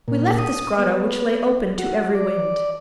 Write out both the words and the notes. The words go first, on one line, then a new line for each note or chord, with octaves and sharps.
We left this grotto which lay open to every wind.
A#2
D#6
B3
F#4
D5